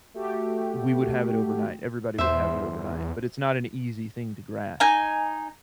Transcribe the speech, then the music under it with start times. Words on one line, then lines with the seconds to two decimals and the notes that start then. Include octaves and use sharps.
we would have it overnight, everybody would have it overnight, but it's not an easy thing to grasp,
0.14 A3 F#4 G4
2.18 E2 C5 E5
4.80 D#4 G#5